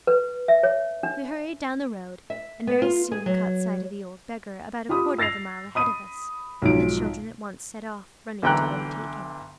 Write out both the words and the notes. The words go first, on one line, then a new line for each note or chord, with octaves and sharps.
We hurried down the road, and very soon caught sight of the old Beggar, about a quarter of a mile ahead of us, and the children at once set off running to overtake him.
B4
E5
C#5
D4
E5
B3
F4
G#4
F#3
F4 G4 B5 D#6
E6 A6 A#6 C7 F7
B5 D#6 D#7
B1 G#2 F3 D7
B1 D3 E3 G5 A#5 F#6